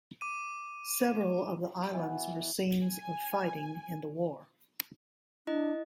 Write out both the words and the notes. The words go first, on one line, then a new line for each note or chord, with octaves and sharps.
Several of the islands were scenes of fighting in the war.
D6 D#7
B2 E3
G#5
D4 E4 D#5